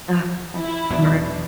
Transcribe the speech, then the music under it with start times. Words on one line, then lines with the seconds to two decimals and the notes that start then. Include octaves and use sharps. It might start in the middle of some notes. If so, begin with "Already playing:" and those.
Ah, that's hard.
0.54 E4
0.91 E2 B2 F#3 B3 D4